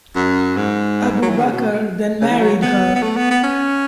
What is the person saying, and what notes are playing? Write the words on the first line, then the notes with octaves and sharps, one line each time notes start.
Abu Bakr then married her.
F#2
G#2
F#3
E3
D#3
C#3
B2
C#3
E3
F#3
B3
B3
A3
B3
B3
C#4